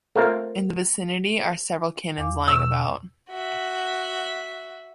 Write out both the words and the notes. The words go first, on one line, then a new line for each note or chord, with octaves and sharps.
In the vicinity are several cannons lying about.
A3 A#3 C4 F4 A#4
E2 F5 D6
B2 C#6 E6
F#4 E5